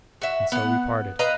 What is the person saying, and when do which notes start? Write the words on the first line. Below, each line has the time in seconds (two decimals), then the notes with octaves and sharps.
And so we parted.
0.22 F#4 E5
0.52 B3 F#5
1.19 B4 D#5 F5 A#5